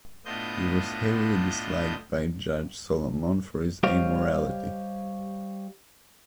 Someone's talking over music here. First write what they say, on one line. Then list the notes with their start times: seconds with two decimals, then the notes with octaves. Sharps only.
He was heavily disliked by Judge Solomon for his amorality.
0.25 A2 B3 D4 F4 D#5 G6
3.83 G3 G4 C5 C#5 D#5 F5